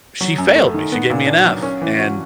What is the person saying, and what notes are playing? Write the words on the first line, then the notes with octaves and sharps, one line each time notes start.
She failed me, she gave me an F, and,
F#3
F#2
A3
D#3
B3
A#2
D4
F#3
C#4
E3
F#4